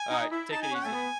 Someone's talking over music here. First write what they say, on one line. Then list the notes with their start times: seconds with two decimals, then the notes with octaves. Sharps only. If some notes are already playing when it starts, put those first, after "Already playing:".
Alright, take it easy.
Already playing: G#5
0.11 D#4
0.31 E4
0.51 D#4 A5
0.62 G#5
0.71 C#4 F#5
0.85 A3 G#5
0.92 B3